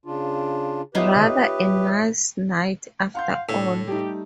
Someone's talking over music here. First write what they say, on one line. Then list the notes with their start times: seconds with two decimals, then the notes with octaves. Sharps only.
Rather a nice night, after all.
0.06 C#3 D4 F4
0.95 B3 D#4 F4 G4 B4 C#5 E5 D#6
3.15 F5 F#5 C6 G6
3.49 A2 D4 A4
3.88 G3 A3 D#4 G4